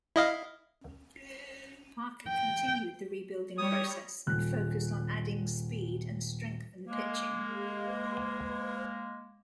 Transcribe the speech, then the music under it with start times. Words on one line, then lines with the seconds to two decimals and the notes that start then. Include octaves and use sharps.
Parker continued the rebuilding process and focused on adding speed and strengthen pitching.
0.16 E4 D#5 F5
2.29 G5
3.58 G3 C#5 D#6
4.26 D#1 F#6
6.86 G#3 A#3